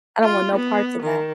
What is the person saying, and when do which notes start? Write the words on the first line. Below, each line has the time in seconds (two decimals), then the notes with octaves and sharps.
I don't want no parts of that.
0.24 F4
0.56 B3
1.03 D#3